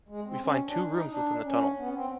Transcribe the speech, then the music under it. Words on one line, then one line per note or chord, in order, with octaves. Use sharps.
We find two rooms within the tunnel.
G#3
C4
C#4
D4
D#4
D4
C#4
B3
C#4
C4